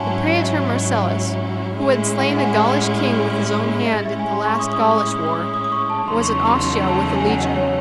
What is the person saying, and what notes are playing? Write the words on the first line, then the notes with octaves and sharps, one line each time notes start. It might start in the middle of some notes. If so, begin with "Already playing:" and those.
The praetor Marcellus, who had slain a Gaulish king with his own hand in the last Gaulish war, was at Ostia with a legion.
Already playing: G#2 F#3 C#4 E4 F#5 G#5 A5 C6
D#5
E5
D#5
E5
A2 G#3 C#4 E4
F#5
E5
G#5
F#5
D#5
F#5
E5
A2 G#3 C#4 E4 D#5
E5
G#5
C6
C#6
D#6
D#6
C#6
D#6
D#6
D#6
D#6
C#6
A5
E2 C#3 F#3 A3 D#4 C6
C#6
C#6
C6
C6
A5
G#5
F#5
D#5
C#5